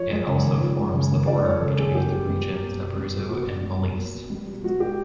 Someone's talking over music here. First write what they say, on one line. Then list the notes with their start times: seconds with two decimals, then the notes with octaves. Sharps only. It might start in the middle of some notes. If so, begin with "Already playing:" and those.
It also forms the border between the regions Abruzzo and Molise.
Already playing: F3 C#5
0.10 G#3
0.27 C#3
0.43 D#2
0.61 F3
0.78 G#3
0.94 C#3
1.12 D#2
1.27 F3 D5
1.44 G#3 C#5
1.61 C#3 A4
1.78 D#2 G#4
1.95 A#3 G4
2.12 B2
2.29 G3
2.46 B2
2.63 A#3
2.79 B2
2.96 G3
3.13 B2
3.30 A#3 F#4
3.47 B2
3.63 G3
3.80 B2
3.97 A#3
4.14 B2
4.30 G3
4.47 B2
4.64 G#3 F#4
4.80 G4